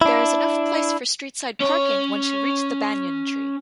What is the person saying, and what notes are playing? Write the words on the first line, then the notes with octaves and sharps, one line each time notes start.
There is enough place for street-side parking once you reach the Banyan tree.
D4 E4
C#4 C#5